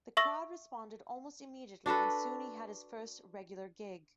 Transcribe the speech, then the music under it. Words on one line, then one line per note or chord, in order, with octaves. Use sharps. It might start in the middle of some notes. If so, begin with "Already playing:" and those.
The crowd responded almost immediately and soon he had his first regular gig.
E5 C#6 E6 A#6
D4 F#4 A4 B4